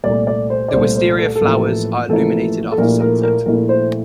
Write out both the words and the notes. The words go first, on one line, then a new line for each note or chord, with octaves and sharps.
The wisteria flowers are illuminated after sunset.
C2 A#2 A3 D5
D5
C5
D5
C2 A#2 A3 C5
C5
A4
A4
A1 A2 F3 A#3 E4
A1 A2 F3 A#3 E4 A4
A4
A#1 A#2 A3 E4 A#4
A#4
A#4
A#1 A#2 A3 E4 A#4
C5